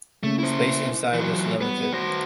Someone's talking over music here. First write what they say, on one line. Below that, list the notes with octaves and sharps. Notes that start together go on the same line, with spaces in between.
Space inside was limited.
C#3 A3 A#3 C#4
E4 C5
E3 F#3 C6
G3 B3 B4
F#4 C5 A#6